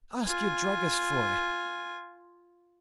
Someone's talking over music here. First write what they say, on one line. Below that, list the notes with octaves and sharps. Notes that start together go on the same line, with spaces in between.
Ask your druggist for it.
F4 G#5